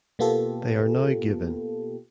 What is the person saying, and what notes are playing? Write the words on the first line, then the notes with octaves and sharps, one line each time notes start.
They are now given.
B2 A#3 B3 F4 G4 A4